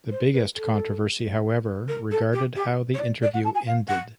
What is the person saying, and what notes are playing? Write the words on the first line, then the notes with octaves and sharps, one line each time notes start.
The biggest controversy, however, regarded how the interview ended.
C5
B4
A4
A#4
A4
G4
G4
C#5
D5
D5
F#5
A5
G#5
F5
F#5